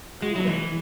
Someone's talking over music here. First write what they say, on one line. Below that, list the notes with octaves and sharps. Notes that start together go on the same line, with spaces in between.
Go away!
G#3
F#3
E3